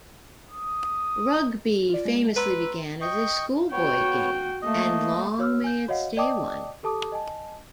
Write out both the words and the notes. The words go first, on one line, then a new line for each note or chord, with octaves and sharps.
Rugby famously began as a schoolboy game, and long may it stay one.
D#6
F4 D5
G#3
B4 A#5 C6 E6
D#5 G5 C#6
B3 F#4 C#5 G5
A3 A#3 D#5
F#4 C#5 E6 F6
G#5 G6
F#4 C#5 D#5 F5 F#5
D5 D#5 G5 A5 D6 D#6
G4 A4 A5 D6 D#6
D#5 G#5 A5